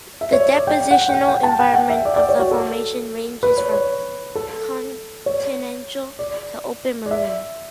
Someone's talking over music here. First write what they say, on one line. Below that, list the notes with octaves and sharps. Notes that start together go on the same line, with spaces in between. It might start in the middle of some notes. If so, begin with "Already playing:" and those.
The depositional environment of the formation ranges from continental to open marine.
E5
C#5
D5
G5
F#5
G5
F#5
G5
A5
G5
F#5
E5
D5
D5
C#5
F#4
A4
B4
C#5
C#5
A4
C#5
D5
D5
E5